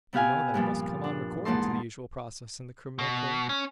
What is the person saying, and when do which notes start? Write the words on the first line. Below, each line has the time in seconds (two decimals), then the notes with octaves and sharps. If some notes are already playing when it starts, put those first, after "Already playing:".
You know that it must come on according to the usual process in the Criminal Court.
0.13 C3 B3 G4 F5 G#5
0.54 G2 A#2 F3
1.04 D4
1.45 E2 G#2 A#3 D#4 A5 C6
2.99 B2
3.49 C#4